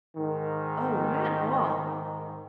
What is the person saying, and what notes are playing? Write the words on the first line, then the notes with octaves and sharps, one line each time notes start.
'Oh, not all!
G#2 D#3